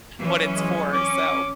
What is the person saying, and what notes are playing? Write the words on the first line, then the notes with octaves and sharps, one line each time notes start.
what it's for, so.
E3 F#3 C#4
G#3
C#4 D6